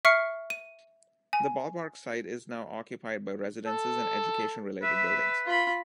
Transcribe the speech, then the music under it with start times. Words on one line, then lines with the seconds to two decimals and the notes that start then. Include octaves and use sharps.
The ballpark site is now occupied by residences and education-related buildings.
0.05 E5 C#6 F6 C7 C#7
0.50 D#7
1.33 G#5
3.66 A4
4.82 B4 E5
5.45 F4 B5